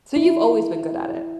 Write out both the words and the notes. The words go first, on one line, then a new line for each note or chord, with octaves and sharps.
So, you've always been good at it?
E4